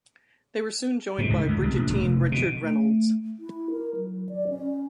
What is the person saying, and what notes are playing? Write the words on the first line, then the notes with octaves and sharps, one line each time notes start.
They were soon joined by Bridgettine Richard Reynolds.
G#2
C#2
C#2
C2
A#1
F1
B2
A3
E4
A#4
F#3
D5
C#4